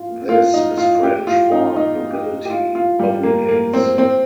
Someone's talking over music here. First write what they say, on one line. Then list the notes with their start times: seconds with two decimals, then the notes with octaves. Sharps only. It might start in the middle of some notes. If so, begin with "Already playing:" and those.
This is French for "nobility obligates".
Already playing: F4
0.29 F4
0.54 D#4
0.78 F4
1.03 G4
1.27 F4
1.51 D#4
1.76 D#4
2.13 G4
2.45 G4
2.50 F4
2.75 F4
2.99 G3
3.23 A#3
3.49 A#3
3.74 C4
3.98 C4